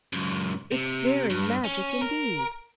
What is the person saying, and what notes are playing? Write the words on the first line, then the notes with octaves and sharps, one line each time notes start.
It's very magic indeed.
C#2 F#2
C3
G2
C#4
A#4